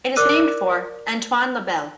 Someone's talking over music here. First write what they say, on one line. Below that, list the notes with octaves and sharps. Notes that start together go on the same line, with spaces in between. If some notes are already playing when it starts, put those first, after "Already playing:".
It is named for Antoine Labelle.
A#4 D5 D6 E6 F#6 D#7